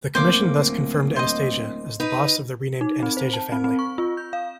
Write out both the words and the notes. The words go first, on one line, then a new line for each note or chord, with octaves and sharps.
The Commission thus confirmed Anastasia as the boss of the renamed Anastasia family.
D1 A#3 C5 D6
C5 D#5
D#4 B4
D#4
C4
C5
A5
C4
C4
C#6
F4
G6
F5